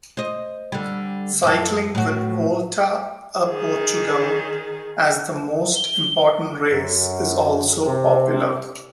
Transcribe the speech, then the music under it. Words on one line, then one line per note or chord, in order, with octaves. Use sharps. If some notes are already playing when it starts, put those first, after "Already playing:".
Cycling, with "Volta a Portugal" as the most important race, is also popular.
C5 D#5
D3 G3
F#2 A4
A2 F#4
D#3 G#4
G7
F#2
C3